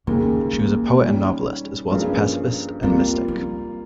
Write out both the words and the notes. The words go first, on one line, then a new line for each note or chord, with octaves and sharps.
She was a poet and novelist, as well as a pacifist and mystic.
D#2 C#3 G#3 A#3
A#3
D#3 G3 C#4 G4 C#5
G2 F3 A#3 C#4 G#4
G3 A#3 C4 F4
D#4